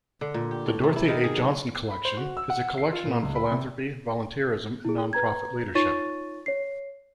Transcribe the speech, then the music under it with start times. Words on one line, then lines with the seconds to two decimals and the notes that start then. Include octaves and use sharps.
The Dorothy A. Johnson Collection is a collection on philanthropy, volunteerism, and nonprofit leadership.
0.21 D3
0.34 A#2
0.51 G4
0.66 A2
0.83 C3
0.96 E4
1.08 D#3
1.24 G#4
1.37 F#3
1.91 B5
2.05 C5
2.17 F#4
2.37 E6
2.50 F#5
2.78 C7
2.93 F4
3.05 A#2
3.23 C#2
3.35 B5
3.51 C3
4.85 E4 G#4
5.13 B4 A#5 G#6
5.75 D#4 F4 C#5 C#6 A6 D#7
6.46 C#5 C7